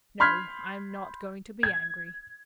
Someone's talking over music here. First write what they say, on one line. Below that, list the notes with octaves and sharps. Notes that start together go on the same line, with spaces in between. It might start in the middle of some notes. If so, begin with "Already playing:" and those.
No, I am not going to be angry.
B5 C6 F6 G6 G#6 B6
G#6